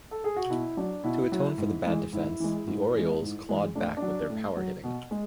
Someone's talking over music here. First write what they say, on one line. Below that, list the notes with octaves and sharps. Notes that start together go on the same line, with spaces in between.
To atone for the bad defense, the Orioles clawed back with their power hitting.
A4
G#4
F#4
B2 E4
F#3 D4
B2 E4
F#3
G#2
E3 G#3
G#2 E4
E3 G#3
G#2
E3 G#3
G#2
E3 G#3
A2 D4
D4
F#3
A2
F#3
B2
G#3